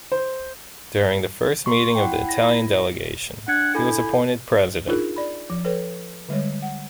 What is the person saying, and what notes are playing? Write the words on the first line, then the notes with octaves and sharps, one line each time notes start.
During the first meeting of the Italian delegation he was appointed President.
C5
C6 C#6
E4 F#5 G5
A#6
D4 F#5 G#6
E4 A4 G#5 G6
D4 D#4 F4 G#4 A#4
D5 B5
F3
A4 B4 C#5 G5
D3 G3 G#3 C#5
F#5